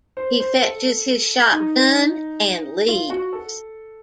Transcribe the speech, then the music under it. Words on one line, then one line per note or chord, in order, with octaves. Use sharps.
He fetches his shotgun and leaves.
C5
C5
A4
D#4
F4
F#4
A4